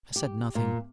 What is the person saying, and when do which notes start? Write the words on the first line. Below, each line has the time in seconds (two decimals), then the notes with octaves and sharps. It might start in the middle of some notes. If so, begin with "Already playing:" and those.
I said nothing.
0.16 G4
0.55 A#2